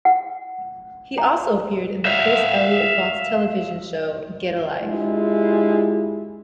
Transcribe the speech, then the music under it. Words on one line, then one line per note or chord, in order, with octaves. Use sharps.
He also appeared in the Chris Elliot Fox television show "Get a Life".
F#5
A#5
E5 F5
G#3 D4 E4 F4 G4 G#4